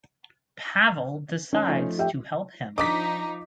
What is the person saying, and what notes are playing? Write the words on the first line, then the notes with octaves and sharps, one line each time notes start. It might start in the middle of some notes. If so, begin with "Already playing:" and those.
Pavel decides to help him.
D#3 C#4 A5
F3 A3 D#4
G4 E5 G5
F3 D4 D#4 D#5 A#5 D6 B6